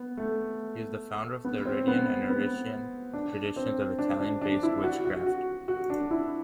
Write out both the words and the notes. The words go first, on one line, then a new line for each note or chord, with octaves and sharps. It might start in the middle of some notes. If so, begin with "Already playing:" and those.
He is the founder of the Aridian and Arician traditions of Italian-based witchcraft.
Already playing: B3
A3
B3
C4
B3
B3
D4
C4
D4
D4
D4
E4
F#4
F#4
F#4
F#4
D4
E4